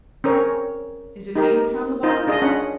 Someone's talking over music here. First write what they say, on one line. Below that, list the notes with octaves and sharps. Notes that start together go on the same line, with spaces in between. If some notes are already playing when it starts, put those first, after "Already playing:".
'Is it he who found the body?'
C4 C#4 A#4 C#5
D#4 G4 A#4
D#4 F4 C5 D#5
D4 F4 G#4 D#5
C#4 F#5